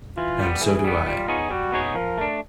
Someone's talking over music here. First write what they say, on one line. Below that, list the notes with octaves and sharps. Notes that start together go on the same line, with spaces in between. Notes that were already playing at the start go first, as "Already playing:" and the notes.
And so do I.
E3 F4
G3 B3
E3 G#4
G3 B3
G3 F4
B3 D#4 G#4 C#5
G3 F#4
B3 D#4 G#4 C#5
F3 A#4
A3 D4